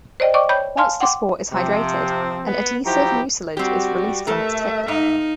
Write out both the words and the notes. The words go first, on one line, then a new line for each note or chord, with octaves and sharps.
Once the spore is hydrated, an adhesive mucilage is released from its tip.
C5 D5 D#5 G5
D5 D#5 G5 C#6 D6
C#5 G5 B5 G6
F5 G#5 A5 C6 F6
F#5 G5 C6 D6
C3 F3 C4
B3
F3 F#3 D#4 E4 G4 C5 A#5
G3 C4 F#4 G4
A3 A4 A#4 E5
G#2 D#4 F5